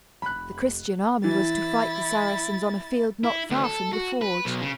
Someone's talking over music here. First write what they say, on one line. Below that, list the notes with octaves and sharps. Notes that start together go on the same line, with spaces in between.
The Christian army was to fight the Saracens on a field not far from the forge.
F1 A3 B5 F#6
E3 E4 A6
E4
D2
A4
F#4
B4
B1
C#3